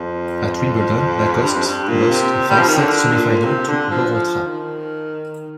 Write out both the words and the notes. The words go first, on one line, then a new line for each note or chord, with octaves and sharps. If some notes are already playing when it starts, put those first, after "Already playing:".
At Wimbledon Lacoste lost a five-set semifinal to Borotra.
Already playing: F2
G2
F2
G2
A#2
C3
G3
F3
D#3
D3
A#2
C3
D3
F3
F3
D#3